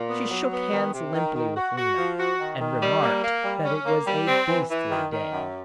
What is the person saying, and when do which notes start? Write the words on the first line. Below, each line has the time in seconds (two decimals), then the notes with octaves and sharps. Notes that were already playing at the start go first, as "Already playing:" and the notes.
She shook hands limply with Lena, and remarked that it was a beastly day.
Already playing: A#2
0.09 B3
0.30 F#3
0.52 B3
0.72 D#3
0.93 C3
1.14 D#3
1.35 D#3
1.56 F#4
1.77 F#4
1.98 F3
2.18 F#4
2.40 D#3
2.60 D#3
2.82 G3
3.02 A#3
3.23 A#3
3.44 G3
3.65 C#4
3.86 A#3
4.07 G3
4.27 C4
4.48 E3
4.69 E3
4.91 D#3
5.11 D#3
5.32 F#2